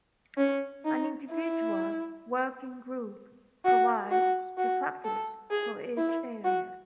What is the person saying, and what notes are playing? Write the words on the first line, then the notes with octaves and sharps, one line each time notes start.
An individual working group provides the focus for each area.
C#4
D#4
E4
F#4
F#4
F#4
A4
G#4
E4
F#4